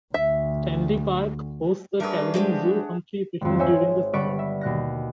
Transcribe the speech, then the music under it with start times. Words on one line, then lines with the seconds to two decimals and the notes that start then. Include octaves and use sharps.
Stanley Park hosts a travelling zoo on three occasions during the summer.
0.14 D2 E5
2.00 G3 A3 D4 F#4 G#4 A#4 B4
2.34 F3 G#3 G4
3.41 G#1 F2
3.59 C5 C#5 E5 G#5 E6
4.13 G1 B4 D5 C#6 B6 D7
4.39 E5
4.61 D#2 B2 F#6 A#6